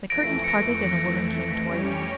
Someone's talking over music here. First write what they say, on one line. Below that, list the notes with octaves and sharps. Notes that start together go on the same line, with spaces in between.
The curtains parted and a woman came toward them.
F2 E3 A3 A#6 D7
C#7
A#6 D7
G3 C#4 G4 C#5